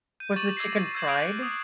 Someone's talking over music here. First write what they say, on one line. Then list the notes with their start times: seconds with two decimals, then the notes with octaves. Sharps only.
Was the chicken fried?
0.20 G6 D#7
0.36 C#6 D6 A6 D#7 E7 F#7
0.57 D6 E6 G#6 A#6 C7
0.95 E6 G6 G#6 A#6 E7 F#7
1.07 F#6 G#6 D7
1.42 D#6